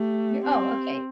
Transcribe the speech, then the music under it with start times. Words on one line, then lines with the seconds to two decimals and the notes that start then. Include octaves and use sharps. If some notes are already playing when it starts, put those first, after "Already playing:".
you're oh, okay,
Already playing: A3 G4
0.45 C4